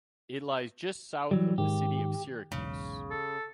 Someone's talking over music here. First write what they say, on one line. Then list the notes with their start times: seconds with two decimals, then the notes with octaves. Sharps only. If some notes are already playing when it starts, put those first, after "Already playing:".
It lies just south of the city of Syracuse.
1.31 E3 F#3 G3
1.58 G#2 D#3 G4
2.52 B1 E2 G#2 C#3
3.11 A4